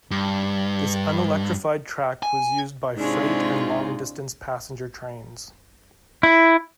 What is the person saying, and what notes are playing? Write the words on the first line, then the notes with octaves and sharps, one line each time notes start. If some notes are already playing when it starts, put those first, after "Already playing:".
This unelectrified track was used by freight and long distance passenger trains.
G2
G#5
G#2 C3 G#3 D4 E4 F4 C#5
E4